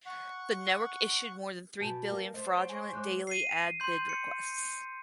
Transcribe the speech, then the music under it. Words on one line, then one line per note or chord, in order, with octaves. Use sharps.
The network issued more than three billion fraudulent daily ad bid requests.
F#5 C#6
B2 G#5 A5 G6
A#3
A3 C5 D#5
C#5 F#5 G7
G#5 C6 C#6
G#3 D6 F#6 G6
C7 D#7
C6 G6
C#7